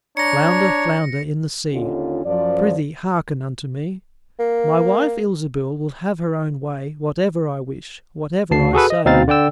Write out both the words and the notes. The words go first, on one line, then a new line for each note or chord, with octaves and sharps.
"Flounder, flounder in the sea, Prythee, hearken unto me: My wife, Ilsebil, will have her own way Whatever I wish, whatever I say."
D4 C#5 A#5 A#6 C#7
D#2 D3 C#4 D#4 F4
F#2 F3 D5
A#3
D2 A5 C7
F#4 G#4 A4 B4
D#5
D2 B2 C4 D#4 F5 A6
D3 D5 G5 E6